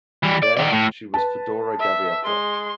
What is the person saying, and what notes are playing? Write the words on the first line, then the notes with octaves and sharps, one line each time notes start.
There, she was Fedora Gaviota.
E3 G3
D5
D#3 D5
A2
B4 A5
E5
G#3 C6